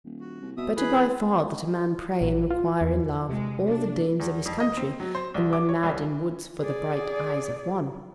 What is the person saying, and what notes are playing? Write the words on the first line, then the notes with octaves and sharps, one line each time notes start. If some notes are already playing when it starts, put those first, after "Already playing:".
Better by far that a man pray and require in love all the dames of his country, than run mad in woods for the bright eyes of one.
D#1
F#4
C2
B2 E5 D#6
E3 G#4 B4 B5
A#1
F4
E2
C3 G#3
D4
E2
F2
D#5
C4
F#3
C5
C2
D6
C#5
C2
G#4 D5